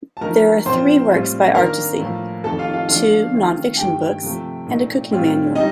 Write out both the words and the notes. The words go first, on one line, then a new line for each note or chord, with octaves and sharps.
There are three works by Artusi: two non-fiction books and a cooking manual.
A5
D3 F3 A3 D#4 A#4 A#5
A#2 F3 C4 F4 C5 C6
A2 G3 C4 F4
D#3 A#3 D4 A#4 A#5
A2 F3 A#3
F2 D#3 A3 A4 A5
F4 F5
F4 F5
D3 F3 A3 D4 F4 F5
D#3 A3 C4 F4
G2 D#3 A3 G4 G5
C3 F3 A3
A#2 A3 D#4
A2 G3 C4 F4
D3 G3 D#4 D#5